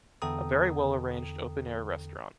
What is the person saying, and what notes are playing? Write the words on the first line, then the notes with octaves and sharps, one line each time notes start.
A very well arranged open air restaurant.
E2 D3 A4 G5 A#5 D#6